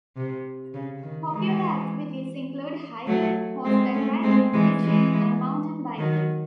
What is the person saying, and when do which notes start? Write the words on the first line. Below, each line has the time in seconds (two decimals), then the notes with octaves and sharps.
Popular activities include hiking, horseback riding, fishing and mountain biking.
0.16 C3
0.74 C#3
1.03 D#3
1.32 E3 G#3
3.07 F#3 A3
3.65 G#3 C4
3.94 A3 C#4
4.23 G#3 C4
4.53 E3 G#3
4.82 E3 G#3
5.98 D#3 F#3